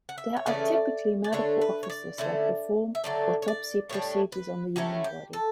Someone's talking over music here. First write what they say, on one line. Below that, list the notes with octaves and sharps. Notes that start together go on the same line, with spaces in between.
They are typically medical officers that perform autopsy procedures on the human body.
F#5
E5
C#5
C#3 E3 A3 C#4 D5
D5
D3 A3 D4 C#5
B4
C#5
D5
D3 A3 C#4 E4
E5
D3 F#3 A3 D5
C#5
D5
A2 G3 D4 C#5
B4
F#3 A3 C#4 E4 G4
G4
A4